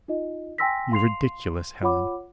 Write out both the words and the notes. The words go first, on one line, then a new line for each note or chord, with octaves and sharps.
"You're ridiculous, Helen."
D#4 F4 D#5
G5 G#5 C6 E6 A#6 B6
F5 C6 C7 F7
F4 C#5 F#5 B5 D6